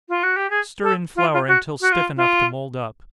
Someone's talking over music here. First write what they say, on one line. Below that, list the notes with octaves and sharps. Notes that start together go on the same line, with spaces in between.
Stir in flour until stiff enough to mould up.
F4
F#4
G4
G#4
A4
F4
F4
F#4
F#4
F4
F4